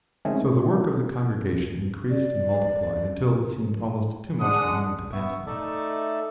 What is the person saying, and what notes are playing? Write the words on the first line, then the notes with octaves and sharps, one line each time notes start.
So the work of the Congregation increased and multiplied until it seemed almost too much for human capacity.
D3 D#3 G#3 A3 C4 C#4
D5
G#3 D4 F#5 D#6
B3 E5 C#6
A3 D#4 A4 D5 E5 A5